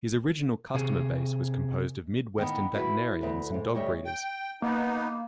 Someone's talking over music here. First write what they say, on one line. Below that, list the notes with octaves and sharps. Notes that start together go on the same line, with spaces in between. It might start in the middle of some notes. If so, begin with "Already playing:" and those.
His original customer base was composed of Midwestern veterinarians and dog breeders.
C3 G#4
D#3 B3
E4 F#4 B4
D2 B4
G#2
D2 G3 C#5 D#5 E5
G5
A#3 B3 D#4